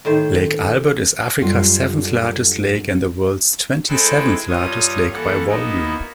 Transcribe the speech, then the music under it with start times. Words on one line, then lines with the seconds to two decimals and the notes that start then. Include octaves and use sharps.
Lake Albert is Africa's seventh-largest lake, and the world's twenty-seventh largest lake by volume.
0.05 A2 D#3 C5
1.41 F#2 D3 G3 F4
3.88 G#3 E4 A4 B4 C5 G5
4.48 G2 F4 C#5 D#6
5.12 E3 A#3 A4 F#5
5.48 A#3 B3 D#4 E4 F#4